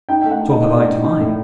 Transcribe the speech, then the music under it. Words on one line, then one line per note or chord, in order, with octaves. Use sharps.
"So have I to mine!"
D#4 G5
A3 G5
F#5
D#4
D#5
A2
D#5
A3 D5
D#4
D#4
A2